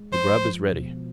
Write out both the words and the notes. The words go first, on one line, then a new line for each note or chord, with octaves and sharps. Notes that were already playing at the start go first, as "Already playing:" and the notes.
The grub is ready.
Already playing: G#3
F3 C5
F3
B2